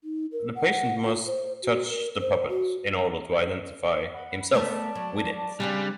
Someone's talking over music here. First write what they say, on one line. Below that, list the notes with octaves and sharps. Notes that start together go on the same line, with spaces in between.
The patient must touch the puppet in order to identify himself with it.
D#4
A#4
F#5
F4
C5
F#4
A#4
C5
F#4
F#5 B5
A3 B3 A#4 D5 A5
F#3
C#3 G3 C4 D4 F5 G#5 F#6